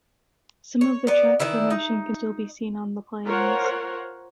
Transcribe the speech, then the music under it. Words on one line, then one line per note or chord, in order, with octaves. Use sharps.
Some of the track formation can still be seen on The Plains.
C#5
B3 D5
D#3 E3 E4 D5
D#4
F4 A#4 C5 C#5 F#5